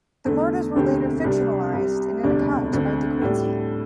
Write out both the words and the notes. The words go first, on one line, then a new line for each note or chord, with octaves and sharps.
The murders were later fictionalised in an account by De Quincey.
E2 D3 A3
E1 D2 D3 C4 G4
C2 C3 G3 D4
C2 C3 G3
E1 D2 C3 G3 D4
D2 D3 C4
A2 G3 D4